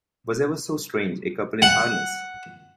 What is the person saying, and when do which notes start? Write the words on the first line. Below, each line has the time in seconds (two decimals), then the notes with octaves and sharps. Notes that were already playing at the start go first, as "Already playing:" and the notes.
Was ever so strange a couple in harness?
1.62 F#5